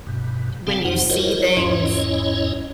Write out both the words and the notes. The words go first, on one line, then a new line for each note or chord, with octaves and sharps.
when you see things
G2 B2
C3 G3 C4 F5 G#5 A5
F2 D#4 C5 F#5
E4 F#4 A#4 C5 C#5 D#5
E2 G#2 C#4 E4 C#5 D#5